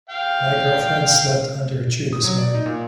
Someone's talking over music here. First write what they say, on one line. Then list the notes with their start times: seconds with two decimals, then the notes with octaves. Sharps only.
My girlfriend slept under a tree this morning.
0.09 F5 G5
2.13 D#6
2.24 F#3
2.38 D5
2.54 D#4
2.66 A#2